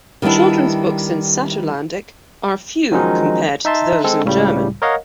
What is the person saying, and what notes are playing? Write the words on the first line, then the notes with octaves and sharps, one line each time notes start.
Children's books in Saterlandic are few compared to those in German.
D#3 G3 B3 D4 E4
D#3 F3 F#3 G#3 C#4 D#4
D#4 E5 A5 C6
G#3 C4 A4
C#2 A2 C#3 G3
A#4 C#5 D#5 F5 F#5